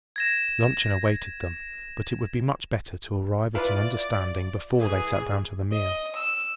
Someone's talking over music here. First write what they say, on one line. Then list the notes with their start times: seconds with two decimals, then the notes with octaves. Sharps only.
Luncheon awaited them, but it would be much better to arrive at an understanding before they sat down to the meal.
0.16 G#6 A#6 E7
3.55 E4 F4 B4 D5
4.75 E3 G#4
5.71 D#5
6.16 E6